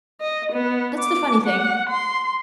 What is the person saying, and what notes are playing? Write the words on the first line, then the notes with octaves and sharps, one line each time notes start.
That's the funny thing.
D#5
B3
D6
F#5
C6